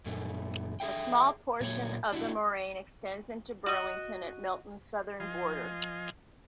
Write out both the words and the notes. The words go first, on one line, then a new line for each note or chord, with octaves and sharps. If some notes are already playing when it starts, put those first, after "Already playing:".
A small portion of the moraine extends into Burlington at Milton's southern border.
F#2 A#2 A3
G#4 A4 E5 G5
A#2 F#3 A#3 C#5
D4 E4 F#4
F#4 D#5
F3 D#5 F5 G#5 C6